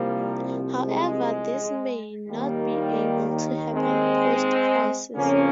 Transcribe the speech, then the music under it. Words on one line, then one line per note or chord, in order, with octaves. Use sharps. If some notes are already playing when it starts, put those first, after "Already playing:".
However this may not be able to happen Post-Crisis.
Already playing: C2 C3 F3 G3 A#3
G#3
D#2 D#3 G3 A#3
G#3 C4
F2 C#3 F3 A#3 C#4